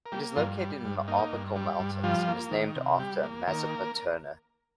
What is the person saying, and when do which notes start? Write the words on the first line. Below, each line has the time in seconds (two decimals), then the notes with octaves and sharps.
It is located in the Arbuckle Mountains and is named after Mazeppa Turner.
0.06 A#4
0.12 G3 A#3 G4
0.36 G2 F3 F4
0.60 G3
0.85 G2
1.08 A#3 D#4
1.32 G2
1.56 G3
1.80 G2
2.03 F3 G3 F4
2.28 A#3
2.51 D#3
2.76 C3
2.99 G3 G4
3.23 A#3
3.47 D#3 A#3 A#4